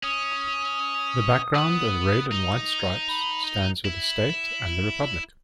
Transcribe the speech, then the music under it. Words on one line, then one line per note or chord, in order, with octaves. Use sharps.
The background of red and white stripes stands for the state and the republic.
C#4 D#6
B3
D#4
B5
E4